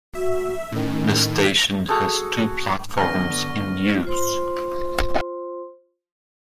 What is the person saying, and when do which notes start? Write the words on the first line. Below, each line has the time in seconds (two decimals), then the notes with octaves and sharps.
The station has two platforms in use.
0.15 F#4 E5
0.72 A2 D#3 C#4
1.89 F#4 G#4 A4 D#6
2.97 F#2 D3 B3 C#6 F6 A#6
4.05 F4 C5 C6